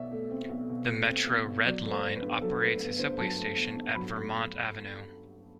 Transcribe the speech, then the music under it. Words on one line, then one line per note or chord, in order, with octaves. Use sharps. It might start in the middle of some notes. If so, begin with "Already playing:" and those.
The Metro Red Line operates a subway station at Vermont Avenue.
Already playing: B1 B2 D5 E5
A3
C4
B1
B2
A3
C4
B1
B2
F#3 D5
A3
C5
G1
B4
G2
F#3 A4
A3 B4
G1 B4
G2 C5
F#3 A5
A3
G1
G2
F#3 B5
A3